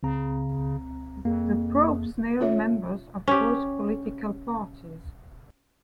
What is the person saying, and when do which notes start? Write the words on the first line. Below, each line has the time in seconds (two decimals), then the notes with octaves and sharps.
The probe snared members of both political parties.
0.03 C#2 C#3 C4 A#5
1.25 F2 A#3 G#4
2.40 C#4 F4 A4 C#5 E5
3.28 C#4 G4